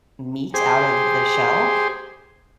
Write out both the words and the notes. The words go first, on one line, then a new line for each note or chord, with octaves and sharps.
meat out of the shell,
G4 G#4 C5